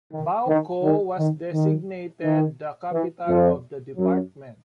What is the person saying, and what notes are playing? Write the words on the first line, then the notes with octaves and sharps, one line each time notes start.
Boaco was designated the capital of the department.
D#3
D#3
D#3
D#3
D#3
D#3
E3
F2 F3
F#2 F#3